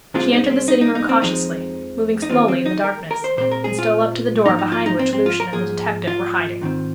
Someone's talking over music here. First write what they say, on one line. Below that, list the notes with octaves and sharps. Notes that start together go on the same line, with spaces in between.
She entered the sitting-room cautiously, moving slowly in the darkness, and stole up to the door behind which Lucian and the detective were hiding.
C2 C3 G#3 C4 F4
D#4
C4
D#4
D#4
D#4
C4
F2 F3 G#3 C4 D#4
D#4
D#2 D#3 G#3 C4 F4
C4
D#4
A#4
A#4
C5
A#2 G#3 C4 C5
A#4
G#4
F4
G#2 F3 A#3 D#4
D#4
F4
D#4
C4
C4
F4
A#4
G#2 F3 A#3 G#4
F4
G#2 D#3 C4